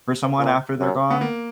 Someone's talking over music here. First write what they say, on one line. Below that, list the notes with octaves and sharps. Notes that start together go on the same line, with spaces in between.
for someone after they're gone,
A#2
F#2
B3
A#3